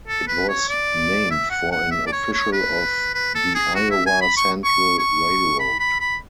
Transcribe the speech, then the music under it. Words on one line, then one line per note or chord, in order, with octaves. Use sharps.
It was named for an official of the Iowa Central Railroad.
A4
B4
C#5
D5
E5
F#5
F#5
E5
D5
C#5
C#5
B4
B4
A4
G#4
F#4
E5
G#5
B5
C#6
C#6
C#6
B5
B5
B5